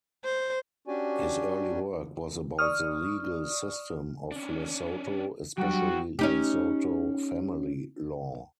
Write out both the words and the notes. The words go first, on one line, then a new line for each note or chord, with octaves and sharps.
His early work was about the legal system of Lesotho, especially Lesotho family law.
C5
C#4 D4 F#4 G4 D5 G#5
D5 C#6 D#6 F6
C#4 D4
F2 F#3 G3 D4 F#4 G5
C#4 D#4 G4